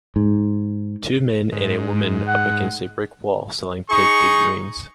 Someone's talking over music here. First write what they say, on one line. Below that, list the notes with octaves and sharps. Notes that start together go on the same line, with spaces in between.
Two men and a woman up against a brick wall selling pig figurines.
G#2
G#2
F#5
D#4 G#4 C#6